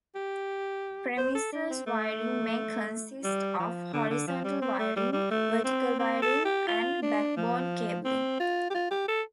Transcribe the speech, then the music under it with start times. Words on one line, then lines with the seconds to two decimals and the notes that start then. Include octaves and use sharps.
Premises wiring may consist of horizontal wiring, vertical wiring, and backbone cabling.
0.15 G4
1.18 C5
1.35 A4
1.52 D4
1.70 C4
1.87 A3
3.24 G3
3.59 F3
3.93 D3
4.10 D3
4.27 F3
4.44 G3
4.62 C4
4.79 A3
4.96 G3
5.13 G3
5.31 A3
5.64 C4
5.99 C4
6.22 A4
6.45 G4
6.67 F4
7.02 D4
7.37 F3
8.05 C4
8.40 F4
8.70 G4
8.74 F4
8.91 G4
9.08 A4